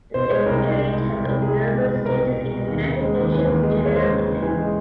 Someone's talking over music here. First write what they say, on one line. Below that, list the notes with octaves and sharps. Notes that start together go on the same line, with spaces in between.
The Secretariat has observer status in the United Nations General Assembly.
B2 C5
C5
G#3 C#5
C2 A#4
C2
G#3
C2
C2
C2
C2 G#4
G#3
B2
B2
C2 A#4
B2
B2
B2
D#2
C#3
G#3
D#2
E3 B4
D#2
G#3
G#3
C#5
G#3 C5
C#3
C#3
E3
G#3